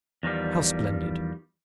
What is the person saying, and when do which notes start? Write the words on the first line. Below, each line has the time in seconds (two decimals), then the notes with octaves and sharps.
"How splendid!"
0.23 E2 D#3 F3 G3